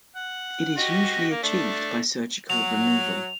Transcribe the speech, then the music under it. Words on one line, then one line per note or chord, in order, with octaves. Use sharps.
It is usually achieved by surgical removal.
F#5
F#4 G4 D#5
A#3
A3 D4
F#3 F7